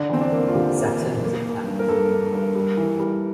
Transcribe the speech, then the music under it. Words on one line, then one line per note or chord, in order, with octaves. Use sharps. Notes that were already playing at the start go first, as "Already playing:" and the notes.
Saturn is a planet.
Already playing: D3 D4
E2 C4
D4
A#3
F4
D3 G4
A#3
E2
A#3
A#3
G2
A#4
G2 A4
G2
G2
G3
E3
G3